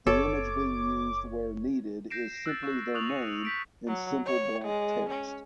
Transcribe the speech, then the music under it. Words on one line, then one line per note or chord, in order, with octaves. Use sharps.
The image being used where needed is simply their name in simple black text.
F#1 A4 C#5 D6
G6 A#6 C7 D7 E7
E6 F#6 A6
C#6 E6 E7
C#6 D#6 F#6 F7 F#7
C#7 D#7 E7
G6 B6 D7
F#3
C#5
G#3
C#4